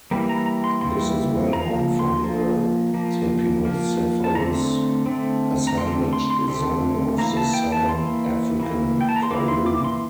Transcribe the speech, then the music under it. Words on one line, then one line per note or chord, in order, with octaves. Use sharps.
This is well known from the Tapinocephalus Assemblage Zone of the Southern African Karoo.
E3 G3 A#3
A#5
A#5
C6
E3 G3 A#3 C6
F3 A#3 A#5
C6
F3 A#3
F3 A#3
F3 A#3
A5
D3 A3 C4 A#5
D3 A3 C4
A#5
D3 A3 C4 C6
C6
C6
D3 A3 C4 C6
E3 A#3 A#5
A5
G5
A5
E3 A#3 C6
E3 A#3
G5
A5
A#5
C6
E3 A#3 D6
C6
D6
C6